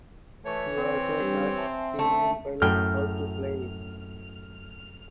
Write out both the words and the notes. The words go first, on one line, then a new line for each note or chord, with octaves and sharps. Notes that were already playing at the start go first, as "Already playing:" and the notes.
He also taught civilian pilots how to fly.
E3 A3 C#5
C4
G3 D4 G4
E5 G#5 A5
A3 C#4
F#2 A2 G5 F6